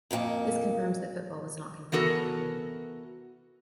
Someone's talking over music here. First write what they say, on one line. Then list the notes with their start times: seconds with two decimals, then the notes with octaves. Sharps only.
This confirms that football was not confined to London.
0.11 F2 A#2 A#3 D#5
1.92 E3 B3 F#4 A4 A#4